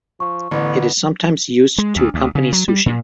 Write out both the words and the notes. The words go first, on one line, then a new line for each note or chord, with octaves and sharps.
It is sometimes used to accompany sushi.
F3 C#6
A1 D3 B3
G#3
D2
D2
C#3
F#3
G3
A#2